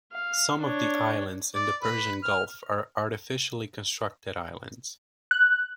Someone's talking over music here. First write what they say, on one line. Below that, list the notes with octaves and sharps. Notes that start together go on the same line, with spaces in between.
Some of the islands in the Persian Gulf are artificially constructed islands.
F5
D4 C#5
D5
B4
F6
F#6